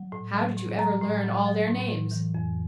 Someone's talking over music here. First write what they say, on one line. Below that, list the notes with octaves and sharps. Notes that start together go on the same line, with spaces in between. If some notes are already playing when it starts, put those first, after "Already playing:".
"How did you ever learn all their names?"
Already playing: F#3
A2
F#3
A2
F#3 A#5
A2
F#3
F#3
A2
A2
E3
F2